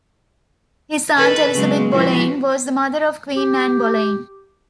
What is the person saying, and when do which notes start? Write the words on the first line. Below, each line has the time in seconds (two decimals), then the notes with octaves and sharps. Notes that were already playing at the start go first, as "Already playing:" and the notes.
His aunt, Elizabeth Boleyn, was the mother of Queen Anne Boleyn.
1.16 D#3 A4 B4
1.53 C#3 F#3 G#3
1.92 E3 F3 F#4
3.37 G4